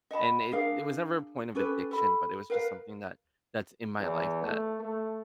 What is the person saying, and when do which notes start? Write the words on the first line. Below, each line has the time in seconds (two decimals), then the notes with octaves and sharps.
And it it was never a point of addiction, but it was just something that that's in my life that
0.11 D#5 F#5 A5 B5
0.52 D4 G#4 A#4 F5
1.55 C#4 G4 A4 B4
1.91 A4 B5
2.50 A#4 B4 F5
4.00 E2
4.43 A3
4.80 A3